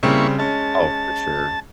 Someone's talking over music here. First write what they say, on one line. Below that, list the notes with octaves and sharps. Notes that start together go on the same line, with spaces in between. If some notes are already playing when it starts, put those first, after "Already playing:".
Oh, for sure.
C#3 G3 A#3 C4 E4 C#6
G#3 C#4 A5